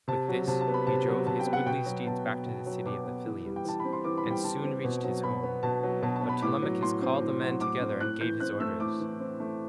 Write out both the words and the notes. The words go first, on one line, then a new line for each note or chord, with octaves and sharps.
With this he drove his goodly steeds back to the city of the Pylians and soon reached his home, but Telemachus called the men together and gave his orders.
C3 A5
F#3
C3 A5
A5
B3
B5
C3 A5
F#3
C3 A5
G5
B3
F#5
B2 G5
F#3
B2 A5
B3
B2
F#3
B2 D6
B3
E3
G3
G5
E3 A5
C4 B5
C6
E3 D6
B5
G3
G5
E3 A5
C4
B2
F#3
B2 B5
B3
B2 A5
F#3
B2 A5
A5
B3
B5
A2 D6
F#3
A2 C6
C4
A2
F#3
A2 D6
C4
A2 F#6
E3 G6
C4 F#6
A3 E6
A2 D6
E3
C4
A3